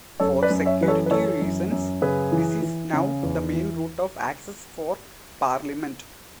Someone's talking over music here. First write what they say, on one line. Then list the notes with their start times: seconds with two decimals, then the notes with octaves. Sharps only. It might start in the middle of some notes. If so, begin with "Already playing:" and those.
For security reasons this is now the main route of access for Parliament.
0.20 F#2 A4 C#5
0.43 B4 D5
0.50 F#2
0.66 C#5 E5
0.81 E3 B4
0.88 A4 C#5
1.06 B4
1.10 E3 A4 C#5
1.41 F#2
1.71 F#2
2.02 C#3 G#4 B4
2.32 E3
2.62 E3
2.93 C#3
3.23 E2
3.53 E3